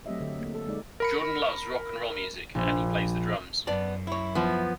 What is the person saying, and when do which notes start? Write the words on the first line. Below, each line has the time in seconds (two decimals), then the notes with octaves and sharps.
Jordan loves rock and roll music, and he plays the drums.
0.06 F#3 A3 C4 G4 D#5 E5
0.21 D3
0.39 A#3
0.55 A4
0.67 G#3 D#4 D5
1.00 A#4 B5 C#7
2.55 A#1
3.67 F#2 B3 D5 A5
4.07 E4 C#5
4.35 F3 B3